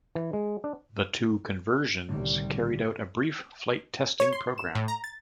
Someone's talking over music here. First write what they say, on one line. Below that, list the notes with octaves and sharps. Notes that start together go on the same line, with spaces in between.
The two conversions carried out a brief flight testing programme.
E3
G#3
D4
C2 A2 D3 D#3 G3
C#5
C6
E7
A2
A#5
A6